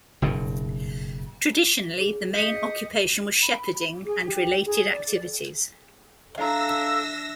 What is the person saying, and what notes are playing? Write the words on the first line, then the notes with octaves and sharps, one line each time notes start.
Traditionally the main occupation was shepherding and related activities.
F#1 G2 B2
G#4
D#5 G6 B6 C#7
B5
G#4
G4
G#4
D5
D4 A4 E5 F5 A#5 E6 A#6